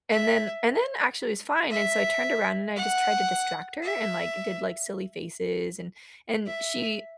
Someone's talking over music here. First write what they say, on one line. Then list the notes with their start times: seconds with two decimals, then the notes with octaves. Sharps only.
and then and then, actually, it was fine, and so I turned around and I just tried to distract her and, like, did, like, silly faces, and and she
0.12 E5
1.71 E5
2.76 F#5
3.83 E5
6.47 E5